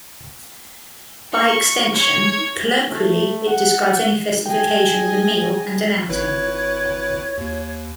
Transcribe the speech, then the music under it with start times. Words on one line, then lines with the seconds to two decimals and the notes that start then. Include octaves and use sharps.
By extension, colloquially, it describes any festive occasion with a meal and an outing.
1.32 C#6
1.94 C#5 G#6
2.91 A3
3.47 F#5
4.46 G#4 D#5 G5 G#5
6.09 G#1 E4 B4 C#5
7.38 D#2